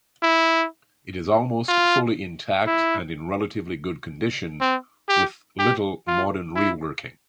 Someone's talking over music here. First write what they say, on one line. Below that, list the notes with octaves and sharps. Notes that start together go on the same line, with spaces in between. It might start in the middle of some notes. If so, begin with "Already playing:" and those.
It is almost fully intact and in relatively good condition with little modern reworking.
E4
F4
E4
C4
G4
G4
F4
E4